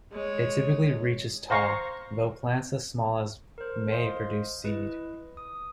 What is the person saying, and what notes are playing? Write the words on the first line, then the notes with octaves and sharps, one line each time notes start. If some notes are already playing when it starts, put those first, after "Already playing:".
It typically reaches tall, though plants as small as may produce seed.
G#3 C#5
C5 F5 A#5 C#6
A#4 C5
C5 D#5 F5 C6
E4 B4 D#5
D#6